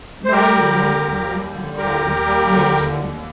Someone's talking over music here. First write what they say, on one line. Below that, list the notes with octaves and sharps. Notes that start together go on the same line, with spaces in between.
My name was, of course, mentioned.
C5
G3 G4 A#4
D3
D#2
D#2
G3
D3
D#2 G4 A#4
D#2
G3
D3
D#2
D#2